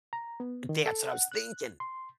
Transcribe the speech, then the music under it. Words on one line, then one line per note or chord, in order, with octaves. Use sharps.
That's what I was thinking.
A#5
B3
D#3
A4
F#5
F#6
C6